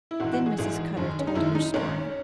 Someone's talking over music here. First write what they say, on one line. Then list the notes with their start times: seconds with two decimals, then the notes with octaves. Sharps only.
Then Mrs. Cutter told her story.
0.11 E4
0.20 G#1 G#2 E3 F#4
0.33 F#4
0.46 G#4
0.59 G#1 G#2 E3 G#4
0.97 F#1 F#2 D#3
1.19 C#4
1.27 D#4
1.35 F#1 F#2 D#3 E4
1.55 D#4
1.74 G#1 G#2 D#3 C#4